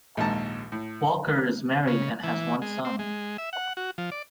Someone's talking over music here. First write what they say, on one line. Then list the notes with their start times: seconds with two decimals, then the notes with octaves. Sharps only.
Walker is married and has one son.
0.17 A#1 D#2 G#2 A5 A#5
0.72 A2
1.87 C#3
2.24 E3
2.62 G#3
2.85 C4
2.99 G#3
3.38 E5
3.53 F#5
3.77 F#4
3.98 F3
4.12 D5